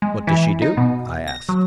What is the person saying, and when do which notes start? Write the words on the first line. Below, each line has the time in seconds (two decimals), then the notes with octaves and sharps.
"What does she do?" I asked.
0.02 G#3
0.27 E3
0.62 D#4
0.77 B2
1.28 A#6
1.49 F#3